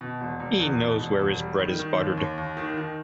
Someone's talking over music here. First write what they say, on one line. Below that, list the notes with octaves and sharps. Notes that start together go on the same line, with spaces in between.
He knows where his bread is buttered.
B2
E1
E1
E2
B2
E1
E1
G3
D#3
D#3
D#2
D#2
D#2
D#3
D#3